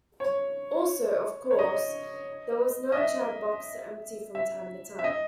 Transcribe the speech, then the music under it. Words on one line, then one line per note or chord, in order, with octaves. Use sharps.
Also, of course, there was no "chad box" to empty from time to time.
C#5
C#5
D#5
D#5
E5
E5
E5
D#5